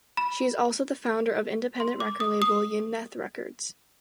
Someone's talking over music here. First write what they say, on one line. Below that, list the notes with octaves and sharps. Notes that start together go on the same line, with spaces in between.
She is also the founder of the independent record label Yidneth Records.
B5
C6
D6
D#6
D#6